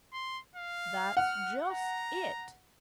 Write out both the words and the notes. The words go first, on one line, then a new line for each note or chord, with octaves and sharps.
'That's just it.
C6
F5
F#5 F6
A#5